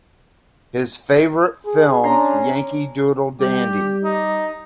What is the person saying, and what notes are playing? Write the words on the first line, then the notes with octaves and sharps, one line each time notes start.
His favorite film, "Yankee Doodle Dandy".
G#4
C#4 D4 A#5 C6
G3 G4
D#4